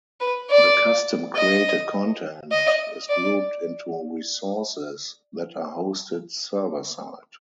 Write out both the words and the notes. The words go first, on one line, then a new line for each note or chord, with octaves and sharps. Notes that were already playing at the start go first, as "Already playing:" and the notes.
The custom created content is grouped into "resources" that are hosted server-side.
B4
D5
D#5
D#5
D5